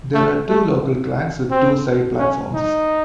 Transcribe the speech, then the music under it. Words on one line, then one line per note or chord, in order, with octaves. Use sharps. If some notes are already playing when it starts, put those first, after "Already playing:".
There are two local tracks with two side platforms.
A3
A3
C4
C#4
D#4